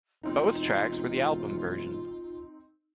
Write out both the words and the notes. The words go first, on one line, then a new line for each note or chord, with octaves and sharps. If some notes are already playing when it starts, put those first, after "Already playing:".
Both tracks were the album version.
E1 C4 D#4 F4